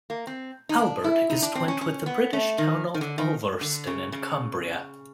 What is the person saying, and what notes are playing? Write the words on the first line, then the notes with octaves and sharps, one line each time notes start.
Albert is twinned with the British town of Ulverston in Cumbria.
A#3
C4
D#4
D4
E4
D#4
D4
C4
C#4
C#4
B3
A3
D#3
D#3
D3
D#3
D3
C#3
C#3